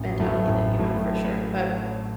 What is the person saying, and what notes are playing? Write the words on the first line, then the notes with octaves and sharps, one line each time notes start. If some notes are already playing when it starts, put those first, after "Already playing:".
mentality that you have, for sure. But,
Already playing: A1
A2 F#3 A3
A1
A2 F#3 A3